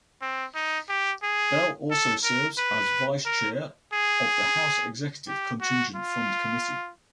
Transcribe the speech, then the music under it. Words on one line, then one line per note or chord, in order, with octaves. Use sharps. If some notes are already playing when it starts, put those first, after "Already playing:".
Bell also serves as vice chair of the House Executive Contingent Fund Committee.
C4
D#4
G4
G#4
A4
A#4
B4
A#4
G#4
G4
F#4
F4